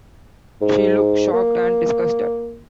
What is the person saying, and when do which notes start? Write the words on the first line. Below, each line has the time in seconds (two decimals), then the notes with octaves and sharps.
She looks shocked and disgusted.
0.61 G#2
1.33 A#3